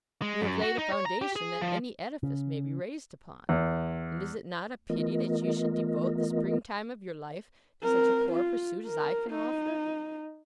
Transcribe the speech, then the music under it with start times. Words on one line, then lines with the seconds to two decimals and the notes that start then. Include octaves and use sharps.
You have laid a foundation that any edifice may be raised upon; and is it not a pity that you should devote the spring-time of your life to such a poor pursuit as I can offer?'
0.22 G#3
0.41 F#2
0.62 F#4
0.78 D#4
0.92 C#5
1.06 A#5
1.22 G4
1.36 G#4
1.61 F3
2.23 C#3
3.49 E2
4.90 E3 A3 B3 F4 A#4 D#5
7.83 C4 A#4
8.32 F4
8.86 A#4
9.31 D#4